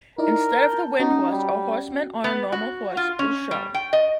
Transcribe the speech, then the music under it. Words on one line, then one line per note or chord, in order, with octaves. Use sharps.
Instead of the Wind Horse, a horseman on a normal horse is shown.
D#4 E4 A#4 D5
A5 G6
C#4 D#4 F#4
G3
B3
F#4
F4
C#4
G3
G5
D#5